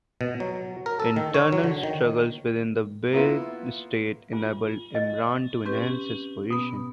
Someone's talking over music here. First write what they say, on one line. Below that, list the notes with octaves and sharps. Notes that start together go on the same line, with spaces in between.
Internal struggles within the Buyid state enabled 'Imran to enhance his position.
B2
F#3
A#4
A4
D#3
C#5
F#3
D3
D#3
A#3 B3 E4 F4
F4
D#5
C4 C#4 G4 B4
B2 B3